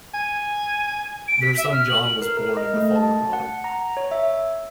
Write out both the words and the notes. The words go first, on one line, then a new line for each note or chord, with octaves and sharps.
Their son John was born in the following autumn.
G#5
D7
B6
E5
F6
F#7
A#4
A#4
D#5
A3
A5
F#5
A#5
C#5
E5